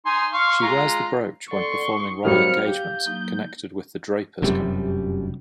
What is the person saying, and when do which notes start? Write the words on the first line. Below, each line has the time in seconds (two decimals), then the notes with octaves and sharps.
She wears the brooch when performing royal engagements connected with the Drapers Company.
0.05 D#4 G#5 C6
0.33 F5 C6 C#6
0.62 G#3 F4 A#5
1.51 A4 D5 F#5 C6 C#6
1.91 D#4
2.25 D#3 F#3 G3 C4 C5 F5 F6 C#7
2.65 G4 F5 G6
3.05 F#3 A#3 D#4
4.42 F1 F#2 C3 G3